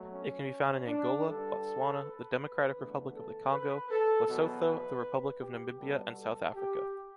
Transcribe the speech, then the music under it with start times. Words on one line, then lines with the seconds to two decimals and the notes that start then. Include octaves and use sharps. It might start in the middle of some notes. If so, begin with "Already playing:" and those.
It can be found in Angola, Botswana, the Democratic Republic of the Congo, Lesotho, the Republic of Namibia and South Africa.
Already playing: B2 F#3 A3
0.12 C#4
0.87 D4
1.26 G2 D3 G3 A4
2.01 B4
2.77 E2 D3 A3
3.15 A4
3.53 B4
3.91 A4
4.28 E2 B2 F#3 B3 B4
5.42 G4
5.80 B2 G3 B3 A4
6.18 A4
6.55 G4